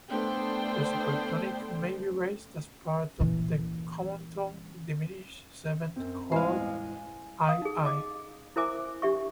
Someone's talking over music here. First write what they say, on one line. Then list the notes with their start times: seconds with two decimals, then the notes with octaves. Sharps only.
The supertonic may be raised as part of the common-tone diminished seventh chord, ii.
0.10 A3 B3 D4 A4 C5 G5
3.20 A#2 E3
5.96 F#2 C4
6.32 G1 E2 A2 G#3 C5 F5 G#5
7.48 F5 D#6
7.62 D#4 G#4
7.85 D#5 D6
8.56 E4 A#4 C5 E5 G#5 D6
9.02 D4 G4 E5 C#6